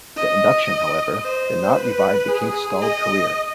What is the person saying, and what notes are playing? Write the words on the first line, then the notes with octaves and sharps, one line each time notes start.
The induction, however, did not revive the Kinks' stalled career.
D#5
C5
B4
G#4
D#5